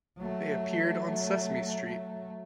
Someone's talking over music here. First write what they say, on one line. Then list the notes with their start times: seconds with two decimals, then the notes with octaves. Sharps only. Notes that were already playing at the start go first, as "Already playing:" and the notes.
They appeared on Sesame Street.
0.18 F#3 A3